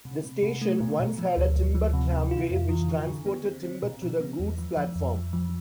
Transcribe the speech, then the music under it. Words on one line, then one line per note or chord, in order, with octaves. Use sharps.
The station once had a timber tramway which transported timber to the Goods Platform.
C3
C3
C3
A3
B2
B2
F3
D2
D2
F3
C3
C3
F4
F2
E3
D3
D3
B3
C4
C4
B2
F3
B3
E2
F3
F3
F2
F3
F3